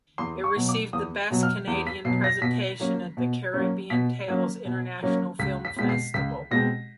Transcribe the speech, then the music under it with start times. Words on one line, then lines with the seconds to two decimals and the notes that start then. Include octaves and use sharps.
It received the Best Canadian Presentation at the Caribbean Tales international Film Festival.
0.18 E2 C6
0.44 C#6
0.56 B2 F#3
0.69 D6
0.93 E2 D#6
1.31 B2 F#3
1.43 F6
1.67 E2
1.87 B6
2.05 B2 C7
2.08 F#3
2.24 A#6
2.41 B2 B6
2.80 F#3 A#3 C#4
3.17 B2
3.54 F#3 A#3 C#4
3.90 B2 B6
4.28 F#3 A#3 C#4
4.65 B2
5.03 F#3 A#3 C#4
5.39 C#2 B6
5.65 B6
5.76 B2 G#3 C4 B6
5.89 C7
6.14 C#2 B6
6.51 B2 G#3 C4 A#6